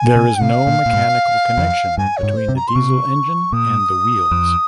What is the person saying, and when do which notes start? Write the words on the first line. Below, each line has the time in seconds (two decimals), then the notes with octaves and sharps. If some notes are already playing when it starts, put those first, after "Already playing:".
There is no mechanical connection between the diesel engine and the wheels.
Already playing: G#5
0.16 C3
0.41 C3 F5
0.67 A#2
0.86 A#2
0.93 G#2
1.57 F2
1.98 G2 G#5
2.17 C#5
2.23 G#2
2.36 C5
2.49 C3
2.55 A#5
2.67 C6
2.74 C3 C#6
3.52 A#2 D#6
4.31 F2